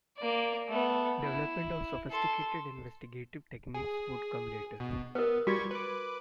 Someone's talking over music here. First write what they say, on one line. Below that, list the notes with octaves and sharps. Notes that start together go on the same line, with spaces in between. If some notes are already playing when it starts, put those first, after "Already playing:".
Development of sophisticated investigative techniques would come later.
A#3 D5
A3 B3
E4
A4 C6
G#4
B2
B3 A#4 B4
G3 F#4 C#6 G#6
B4 D6